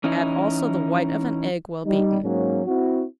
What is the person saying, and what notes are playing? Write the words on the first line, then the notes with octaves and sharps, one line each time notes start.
Add also the white of an egg well-beaten.
E3 C#4 D#4 E4
G3 D#4
G#2 F#3 A#3 C#4
C4 E4 F#4